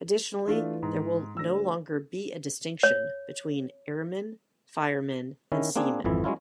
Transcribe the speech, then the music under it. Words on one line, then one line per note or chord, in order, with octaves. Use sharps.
Additionally, there will no longer be a distinction between 'airman, fireman and seaman.
E3 A3 D4 F4
G#2
D2 E6 A#6
C#5
D#3 C#4 E4
A#3 C4 D4 G#4
G#1 F2 E3 E4
F#3 G#3 C#4 E4 F4